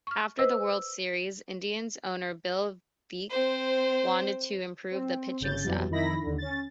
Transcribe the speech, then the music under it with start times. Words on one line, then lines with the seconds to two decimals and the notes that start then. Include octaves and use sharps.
After the World Series, Indians owner Bill Veeck wanted to improve the pitching staff.
0.07 C#6 F6
0.39 B4 C5 D#5 E6
3.30 C4 C5
4.91 C4
5.40 G1 C#3 G6 A6
5.64 F2 B2 E3 F#3 G3
5.90 F2 D#3 D#4 E4 B5 A#6
6.22 D#2 D3
6.38 C#4 A6